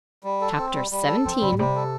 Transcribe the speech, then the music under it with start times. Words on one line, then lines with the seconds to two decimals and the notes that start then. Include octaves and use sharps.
Chapter XVII.
0.24 G3
0.41 A4
0.58 C4
0.75 G3
0.91 G3
1.08 A4
1.25 F3 C4
1.41 D3 G3
1.52 A2
1.59 C3 G3
1.76 A4